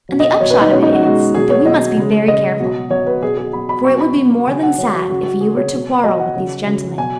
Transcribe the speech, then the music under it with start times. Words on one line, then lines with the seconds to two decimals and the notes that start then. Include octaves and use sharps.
And the upshot of it is, that we must be very careful; for it would be more than sad if you were to quarrel with these gentlemen.
0.09 B2 F#3
0.20 D#5
0.30 D#5
0.40 B2 F#3 C#5
0.50 B4
0.61 D#4
0.72 B2 G#3 C#4
0.83 D#4
0.93 F#4
1.03 B2 G#3 F#4
1.34 B2 F#3 G#4
1.50 C#5
1.66 B2 F#3 D#5
1.97 C#3 G#3
2.28 C#3 G#3 D#5
2.60 B2 F#3
2.90 B2 F#3 C#5
3.07 B4
3.22 B2 F#3 G#4
3.37 G#4
3.53 B2 F#3 B5
3.69 B5
3.85 B2 F#3 C#6
4.00 B5
4.16 B2 F#3
4.47 C#3 F#3 G#5
4.63 F#5
4.78 C#3 F#3 C#5
4.94 F#4
5.10 C#3 F#3 F#4
5.26 F#4
5.41 C#3 F#3 G#4
5.56 C#5
5.72 B2 F#3
6.03 B2 F#3 D#5
6.19 F#5
6.35 C#3 F#3
6.66 C#3 F#3
6.98 B2 F#3 G#5